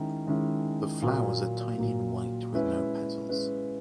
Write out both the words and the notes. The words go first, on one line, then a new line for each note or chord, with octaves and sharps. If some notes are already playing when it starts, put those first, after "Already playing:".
The flowers are tiny and white with no petals.
Already playing: D#3 G#3 C#4 E4
D#3 G#3 C#4 E4
A#2 F#3 A#3
A#2 F#3 A#3
G#3 C#4 E4 B4
G#3 C#4 E4 B4